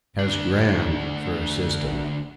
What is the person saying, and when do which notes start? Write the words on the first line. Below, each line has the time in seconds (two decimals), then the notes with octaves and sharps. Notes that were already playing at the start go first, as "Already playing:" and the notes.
He has Gran for assistant.
0.19 D2 D4